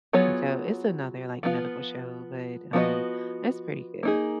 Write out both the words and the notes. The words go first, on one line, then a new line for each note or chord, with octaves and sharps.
and so it's another, like, medical show, but, um, it's pretty good.
F#3 B3 F4 G#4 C#5
F3 B3 F4
F3 B3 F#4 B4 D#5
A#3 D#4 G#4